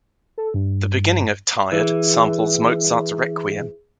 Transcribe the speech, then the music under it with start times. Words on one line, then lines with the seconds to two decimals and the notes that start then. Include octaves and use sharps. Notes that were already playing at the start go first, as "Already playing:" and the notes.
The beginning of "Tired" samples Mozart's Requiem.
0.38 A4
0.54 G2
1.72 E3 G#4